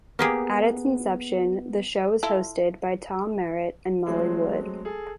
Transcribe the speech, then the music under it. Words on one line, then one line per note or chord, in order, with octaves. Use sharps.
At its inception, the show was hosted by Tom Merritt and Molly Wood.
A#3 B3 G4 G#4
E4 F4 A4
F#3 G#3 A3 C4
G#4 A4